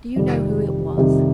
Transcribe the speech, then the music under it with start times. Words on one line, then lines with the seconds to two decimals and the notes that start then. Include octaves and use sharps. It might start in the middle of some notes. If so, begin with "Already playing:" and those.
"Do you know who it was?"
0.16 F2 C3 D#3 G3
0.97 F2 C3 D#3 G3